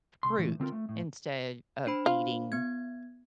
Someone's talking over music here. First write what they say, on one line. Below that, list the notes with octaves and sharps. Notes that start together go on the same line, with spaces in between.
fruit instead of eating
C2 C6
A2 E3
D3 C4 F4 A#4
A3
A2
D4 C5 B5
F4
B3 G#6